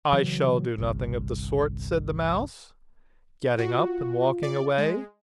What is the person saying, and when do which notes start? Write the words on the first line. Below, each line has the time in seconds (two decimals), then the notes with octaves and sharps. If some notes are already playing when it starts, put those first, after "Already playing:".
'I shall do nothing of the sort,' said the Mouse, getting up and walking away.
0.12 C#3 E3 F#3
0.78 G1 C2
3.58 F4 F#4
4.43 D5
4.78 G#3